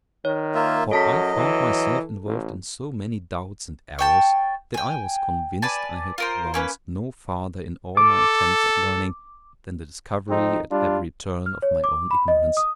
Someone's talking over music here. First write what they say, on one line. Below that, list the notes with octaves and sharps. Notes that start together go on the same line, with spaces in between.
For I found myself involved in so many doubts and errors, that I was convinced I had advanced no farther in all my attempts at learning, than the discovery at every turn of my own ignorance.
D#3 C#5
A#3 F4 E5
F#2 F#3 A4 D#5 A5 B6
E3
A1
C#5 G5 A5
G5 G#5
B4 D5 G#5 A5
F4 A#4 C5
A#3 C#4 B4
A4 D6
F2 C4 D#4
G3 D4 F4
F6
C#5
D6
B5
D#5
D#6